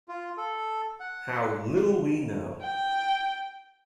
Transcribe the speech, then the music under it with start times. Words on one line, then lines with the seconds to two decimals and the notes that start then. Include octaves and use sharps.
How little we know!
0.08 F4
0.37 A4
1.00 F#5
2.61 G5